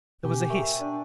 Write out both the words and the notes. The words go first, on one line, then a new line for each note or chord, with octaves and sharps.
There was a hiss.
B2 G4 G#5
A#4 E5 G5 C#6
D4